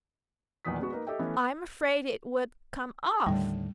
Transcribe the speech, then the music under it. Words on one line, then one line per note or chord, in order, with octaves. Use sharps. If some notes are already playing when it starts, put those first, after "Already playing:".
I'm afraid it would come off!'
B1 E2 A#2 D#3 D#6 B6
G#3 B3 F#4
A#3 D#4 A#4 B4
G4 A4 D#5 E5 G5
E3 A3 B3 C#4
D#2 A2 D3 G3